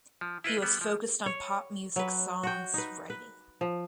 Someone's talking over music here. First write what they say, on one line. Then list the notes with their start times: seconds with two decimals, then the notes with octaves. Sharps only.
He was focused on pop music songs writing.
0.21 F3
0.44 E4 F4 B4 D#5
0.62 G3 B3
0.81 F3
1.26 C#5
1.96 F#3 B4
2.43 F#4 G5
2.74 D#4 B4
3.10 B4
3.61 F3